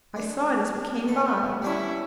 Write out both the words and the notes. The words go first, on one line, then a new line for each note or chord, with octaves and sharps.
I saw it as we came by.
D4
B2 B3 A4
G3 C#4 D4 E4 C#5